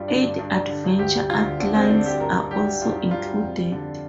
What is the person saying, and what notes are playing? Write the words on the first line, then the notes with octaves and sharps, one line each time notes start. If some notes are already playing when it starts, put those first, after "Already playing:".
Eight adventure outlines are also included.
Already playing: G2 G3 F4
D3 D4
G2
G2 D4
G3
D3
G2
D2 G4
G3
D3 F4
D2
D2 D4
G3 C4
D3 D4
D2 G4
G2 A#4
G2
G3 G4
G3
G2 F4
G2
G3 F4
G3
F2
G3
D3